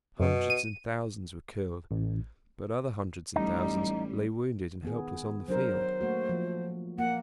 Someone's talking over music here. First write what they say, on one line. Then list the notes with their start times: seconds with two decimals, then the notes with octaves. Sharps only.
Hundreds and thousands were killed; but other hundreds and thousands lay wounded and helpless on the field.
0.20 F#2 B2
0.50 D#7
1.91 A1
3.36 A1 G3 D#4
4.82 D#3 B3 G#4
5.48 F#3 D4 A#4 C5
6.01 A3 A#3 F#4
6.29 F3
6.98 A#3 F#5